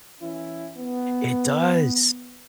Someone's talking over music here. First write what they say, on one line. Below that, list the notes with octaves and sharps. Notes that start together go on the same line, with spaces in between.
It does.
E3 C#4 E4
B3